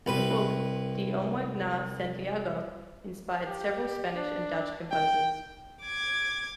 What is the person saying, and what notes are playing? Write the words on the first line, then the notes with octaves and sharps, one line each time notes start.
The book "De omweg naar Santiago" inspired several Spanish and Dutch composers.
C2 B4
G4
D4
G5
D6 G#6